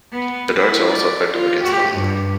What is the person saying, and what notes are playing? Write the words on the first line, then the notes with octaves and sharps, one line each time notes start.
The darts are also effective against armour.
B3
E4
D5
F4
G4
G2